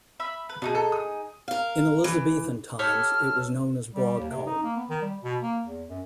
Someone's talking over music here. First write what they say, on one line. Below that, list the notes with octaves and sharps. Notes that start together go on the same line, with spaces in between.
In Elizabethan times, it was known as Broad Coombe.
E5 B5
B4
B2 D4 D#4 G#4
A4
D#6
A#4 F5
E3
G4 A4 C#5 F6
G3
D#2
C3
D#4
A#3
B3
D#3
G3
B2
A#3
E2
F#2